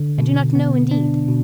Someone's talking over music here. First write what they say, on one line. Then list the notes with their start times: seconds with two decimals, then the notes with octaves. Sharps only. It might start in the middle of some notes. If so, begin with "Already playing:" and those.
"I do not know indeed."
Already playing: D3
0.18 B2
0.55 B3
0.91 D4
1.28 B2